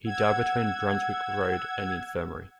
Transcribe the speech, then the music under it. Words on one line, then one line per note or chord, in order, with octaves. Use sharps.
He died between Brunswick Road and the Infirmary.
F#5 E6 G#6